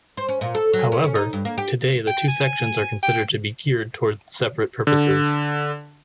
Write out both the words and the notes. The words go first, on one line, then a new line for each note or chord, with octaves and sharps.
However, today the two sections are considered to be geared toward separate purposes.
C5
C#4
A#2
A4
F#3
C#4
C#4
D#4
G2
A#3
G4
G5
G#5
G5
D3